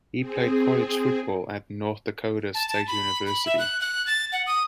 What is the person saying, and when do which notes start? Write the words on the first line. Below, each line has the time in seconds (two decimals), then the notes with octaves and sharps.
He played college football at North Dakota State University.
0.18 C4 G#4
2.55 A5
2.69 A5
2.88 B5
3.27 B5
3.46 E5
3.59 F#6
3.80 F#6
4.07 A6
4.32 F#5
4.47 D#6